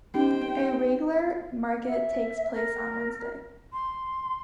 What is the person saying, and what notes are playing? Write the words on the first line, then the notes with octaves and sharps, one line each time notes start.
A regular market takes place on Wednesdays.
B3 C#4 D#4 G4 C5 G5
E5
A#4
C6